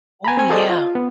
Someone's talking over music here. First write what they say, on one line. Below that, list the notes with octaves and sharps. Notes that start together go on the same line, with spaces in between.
Oh, yeah.
G#5 A#5 B5
C4 G#5
F#4 G#4 A4 C5 D5 D#5
F4
B3